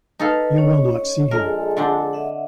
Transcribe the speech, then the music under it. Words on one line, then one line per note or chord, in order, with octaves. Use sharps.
You will not see him.
D#4 A4 B4 F5
C#4 C#5
A#1 G#3 A4 A#4
D3 C4 D4 A5
D#5 E5 F#5